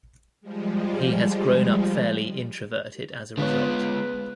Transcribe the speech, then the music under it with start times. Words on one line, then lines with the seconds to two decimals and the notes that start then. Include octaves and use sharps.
He has grown up fairly introverted as a result.
0.41 F3 G3 G#3
3.38 D3 G#3 B3 F4 B4 C#5